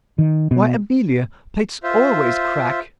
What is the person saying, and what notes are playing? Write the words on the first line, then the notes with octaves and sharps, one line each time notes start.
"Why, Amelia, plaits always crack!"
D#3
B2
F4 C5 E5